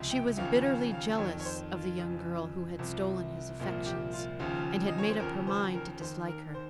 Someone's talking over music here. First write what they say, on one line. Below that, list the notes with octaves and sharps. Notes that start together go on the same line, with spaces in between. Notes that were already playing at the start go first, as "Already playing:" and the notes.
She was bitterly jealous of the young girl who had stolen his affections, and had made up her mind to dislike her.
Already playing: C#2 C3 F3
G5
D#2 C#3 F3 F5
F5
F5
F2 D#3 C#5
C#5
C5
F4
F2 C#3 F3
C2 C3 F3
C2 A#2 F3
G4
F4
D#2 C#3 F3 F4
D#5
C#5
C5
D#2 C#3 F3 A#4
C5
A#4
D#2 D#3 C5
A#4
C5